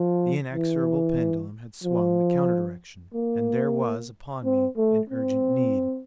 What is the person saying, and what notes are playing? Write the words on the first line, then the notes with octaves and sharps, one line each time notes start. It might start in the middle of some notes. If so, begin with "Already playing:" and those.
The inexorable pendulum had swung the counter direction, and there was upon me an urgent need.
Already playing: F3
E3
F3
A#3
C4
A3
C4